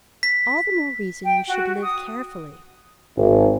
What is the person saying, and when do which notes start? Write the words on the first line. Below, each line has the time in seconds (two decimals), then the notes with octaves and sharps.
'All the more reason you should live carefully.
0.23 B6
1.24 G5
1.48 F#4
1.83 D#6
3.16 G#1